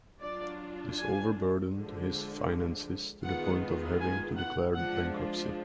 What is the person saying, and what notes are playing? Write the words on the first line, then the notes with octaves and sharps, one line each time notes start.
This over burdened his finances to the point of having to declare bankruptcy.
F#3 D4 F4 D5
G#5
D3 F3 G#3
D#3 G#3 B3 F4 F#5
G#5
F#5
F3 G#3 D4 F4 F#5